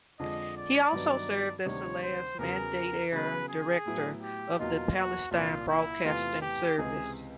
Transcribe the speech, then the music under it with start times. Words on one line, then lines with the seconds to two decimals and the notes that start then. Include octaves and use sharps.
He also served as the last Mandate-era Director of the Palestine Broadcasting Service.
0.19 F2 D3 F3 G#3 D#5
0.57 D5
0.92 G2 D#3 F#3 B3 D#4
1.66 D2 C3 D#3 G3 C#5
2.02 C5
2.39 E2 C#3 F#3 A#4
3.12 C#3 F#3 B3 B4
3.48 G#4
3.86 A2 F#3 B3 E4
4.21 G4
4.59 E2 B2 F#3 A#3 D#4 F4
4.95 F#4
5.31 C2 A#2 F3 A#3 D4 F4
5.68 E4
6.04 E2 C3 E3 A3 F4
6.41 G4
6.77 C#2 C3 E3 G#3 C4 G#4